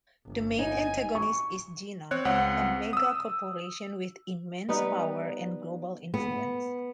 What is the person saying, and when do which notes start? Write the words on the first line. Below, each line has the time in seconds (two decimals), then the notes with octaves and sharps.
The main antagonist is Genom, a megacorporation with immense power and global influence.
0.25 G1
0.59 D#4 G#5
1.15 C#6
2.11 C4 C#5 F#6
2.25 C#2 C4 F#5
2.93 D#6 E6
4.69 G3 B3 D#4 B4
6.14 B3